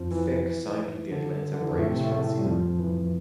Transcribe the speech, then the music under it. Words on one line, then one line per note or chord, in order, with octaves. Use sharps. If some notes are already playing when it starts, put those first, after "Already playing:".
Fick signed with the Atlanta Braves for the season.
Already playing: F2 F3
E3
D3
D3
E3
F2 F3
A2 A3
C3 C4
A2 A3
A2 A3
G3
F2 F3
E3